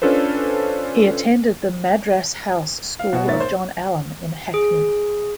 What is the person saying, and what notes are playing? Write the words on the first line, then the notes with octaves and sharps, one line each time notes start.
He attended the Madras House school of John Allen in Hackney.
C#4 D4 F4 A4 B4 C5
F5
B2 F#4
G#2 A#3 C#5 E5 A6
C5
G#4